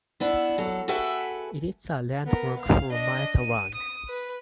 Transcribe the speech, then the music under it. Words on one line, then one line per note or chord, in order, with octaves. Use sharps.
It is a landmark for miles around.
B3 D4 E4
F#3 A4
F#4 G#4 A4 B4 E5 G5
B3 A#4
F5
D4 D#5
D#7
D#6
B4